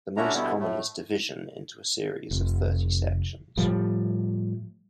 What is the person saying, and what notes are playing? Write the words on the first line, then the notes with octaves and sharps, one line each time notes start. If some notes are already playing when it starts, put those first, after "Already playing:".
The most common is division into a series of thirty sections.
A3 C#4 D4 E4 F#4 A#5
B2 D3 G3 B3 E4
A2 A3
F1
A2 F3 G3